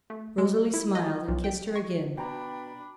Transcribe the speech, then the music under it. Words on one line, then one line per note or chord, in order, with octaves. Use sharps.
Rosalie smiled and kissed her again.
A3
G#3
E4
D#5
B1
G5
C#6
B2 D4 G5 A#5 B5